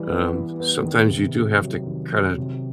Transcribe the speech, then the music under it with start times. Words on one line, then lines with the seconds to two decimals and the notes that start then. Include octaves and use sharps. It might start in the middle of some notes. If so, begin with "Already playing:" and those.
um, sometimes you do have to kinda
Already playing: E3 G3
0.09 B3
0.34 E3
0.60 B3
0.85 D#3
1.11 C3
1.36 C3
1.61 F#3
1.87 D#3
2.12 F#3
2.38 C3